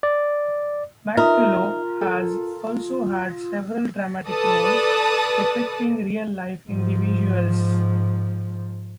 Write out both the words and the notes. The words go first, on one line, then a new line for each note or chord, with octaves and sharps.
McCullough has also had several dramatic roles depicting real-life individuals.
D5
D#4 F4 A#4 E5
A4
A4 B4 D5 A5 D#6
G#2 F3